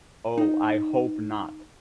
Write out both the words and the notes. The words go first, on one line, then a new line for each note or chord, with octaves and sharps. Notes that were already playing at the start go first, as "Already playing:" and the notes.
Oh, I hope not.
D#4 D#5